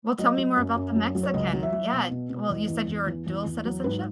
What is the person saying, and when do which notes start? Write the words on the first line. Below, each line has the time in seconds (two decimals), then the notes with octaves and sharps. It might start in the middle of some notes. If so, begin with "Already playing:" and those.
Well, tell me more about the Mexican yeah, well, you said you're a dual citizenship?
0.19 F#3 D#5
0.38 F#3
0.57 F#2
0.76 F#2
0.96 F#3
1.15 F#3
1.23 C#5
1.34 C#2 D#5
1.53 F#3
1.63 E5
1.72 F#3
1.92 B2
2.11 B2
2.30 B2
2.49 E2 D#5
2.68 E2
2.88 E2
3.07 E2
3.27 E2
3.46 E2
3.65 F#3
3.84 G#2 B4